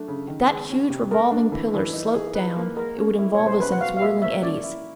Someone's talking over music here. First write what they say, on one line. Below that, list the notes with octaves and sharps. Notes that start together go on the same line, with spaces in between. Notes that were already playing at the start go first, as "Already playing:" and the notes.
If that huge revolving pillar sloped down, it would involve us in its whirling eddies.
Already playing: F#3 A3 D4
C#3
D#3
G#3
C#4
C3
A3 A#4
D4
E3
E3
D#4
G#4
B4
A#3
G#3 A#4
C#4
E4
B2 C#5
C5
C#4 B4
F#5
F#4 F5
F5
A#3 E5
A#3 E5
C#4 D5
E4